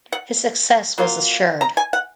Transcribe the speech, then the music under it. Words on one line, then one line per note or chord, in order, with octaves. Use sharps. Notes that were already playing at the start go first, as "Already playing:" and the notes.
His success was assured.
F#5
F#3 A#3 F4
A#5
G#5
F#5